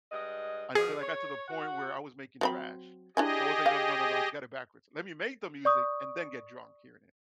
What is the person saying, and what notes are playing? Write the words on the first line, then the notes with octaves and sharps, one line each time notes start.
until I got to the point where I was making trash. So I was, like, no, no, no, no, I've got it backwards. Let me make the music and then get drunk hearing it.
G2 G#3 D#5
B2 D#3 F3 G#4
C#5
F#4 F#5
F#3 C4 B5
D4 E4 G4 G#4 D#5 G#5
F5
D5 C#6 D#6